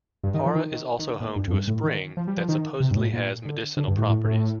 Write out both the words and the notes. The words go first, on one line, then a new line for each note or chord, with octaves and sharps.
Para is also home to a spring that supposedly has medicinal properties.
G2
D#3
F3
D#3
D#3
D#3
D3
A#2
G2
F2
G2
A2
D#3
F3
G3
F3
D#3
C3
G2
A2
A#2
D3
D3
G2
A2
A2
A2